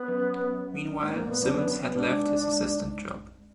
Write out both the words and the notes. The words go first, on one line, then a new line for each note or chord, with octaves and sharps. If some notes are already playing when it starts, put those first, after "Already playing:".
Meanwhile, Simmonds had left his assistant job.
Already playing: B3
F#2
D4
G#2 A#3
A#2 A#3
B3
F#2 D4
B3
B3
G#2 D4